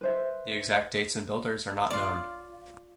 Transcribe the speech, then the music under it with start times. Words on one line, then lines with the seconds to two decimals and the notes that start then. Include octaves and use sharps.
The exact dates and builders are not known.
0.01 B4 C5 E5
1.90 F4 D5